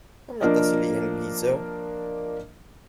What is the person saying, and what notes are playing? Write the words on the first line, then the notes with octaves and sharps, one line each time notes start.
I'm not a silly young geezer.
F3 A#3 D4 A#4 D#5